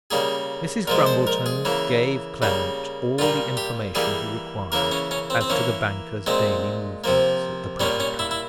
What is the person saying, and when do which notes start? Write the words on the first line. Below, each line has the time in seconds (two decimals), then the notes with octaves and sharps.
Mrs. Grumbleton gave Clement all the information he required as to the banker's daily movements at the present time.
0.11 C#3 G3 A#3 G#4
0.87 A#2 F3 G#3 A#4
1.06 C5
1.27 A#4
1.46 G#4
1.65 C#3 E3 A#3
2.42 C#3 G3 A#3
3.18 A#2 G3 A#3 F4
3.57 G4
3.95 E3 G3 A#3 G#4
4.72 C#3 E3 A#3 A#4
4.91 C#4
5.11 C#4
5.30 C4
5.41 C4
5.50 E3 A#3 C#4
6.26 A#2 G#3 C4
7.04 C3 F3 A#3
7.80 A#2 G3 A#3 C#4
8.00 C#4
8.19 E4
8.31 E4